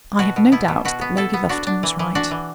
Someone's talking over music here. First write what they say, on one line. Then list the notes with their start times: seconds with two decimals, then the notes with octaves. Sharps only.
I have no doubt that Lady Lufton was right.
0.19 B2 F#4
0.36 B2
0.52 B3 E4
0.68 B2
0.85 B2 F#4
1.01 B3
1.17 E4 A4
1.33 B3
1.49 D4 F#4
1.67 D4
1.83 E3
1.99 E3
2.15 D4 F#4
2.31 E3